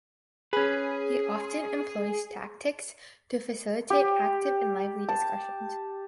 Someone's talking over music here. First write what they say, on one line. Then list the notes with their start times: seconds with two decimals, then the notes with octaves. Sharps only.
He often employs tactics to facilitate active and lively discussions.
0.53 C#4 G#4 B4
3.90 G4
5.09 A5